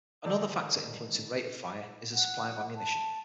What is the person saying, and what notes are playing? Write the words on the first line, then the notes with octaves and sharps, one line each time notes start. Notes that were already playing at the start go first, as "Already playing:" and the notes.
Another factor influencing rate of fire is the supply of ammunition.
G#2 D3 D#3 D5 E6 G6
F#5
A5